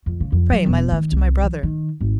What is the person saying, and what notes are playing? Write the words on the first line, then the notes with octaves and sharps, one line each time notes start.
Pray my love to my brother.
F2
C#3
F2
F#3
E1
D#3
C2
E3
D#3
G#1